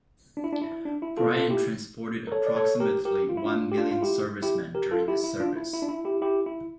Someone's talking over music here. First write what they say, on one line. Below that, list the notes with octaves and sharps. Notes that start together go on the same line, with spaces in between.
Bryant transported approximately one million servicemen during this service.
D4
E4
D4
E4
D4
E4
F4 A4
F4 A4
E4 G4
A#4
A4 C#5
D5
A4 C#5
G4 A#4
G4 A#4
F4
E4
D4 F4
G4
D4 F4
F4
E4 G4
E4 G4
G4 A#4
F4 A4
E4 G4
E4
D4 F4
E4
E4
D4
E4
E4 G4
E4 G4
E4